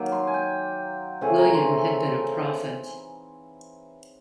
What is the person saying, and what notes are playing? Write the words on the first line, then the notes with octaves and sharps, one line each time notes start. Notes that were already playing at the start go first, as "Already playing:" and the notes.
William had been a prophet.
Already playing: D#3 F#3 A#3
C6
G#5
G5
C#3 E3 A3 C4 G#5
A#5
C6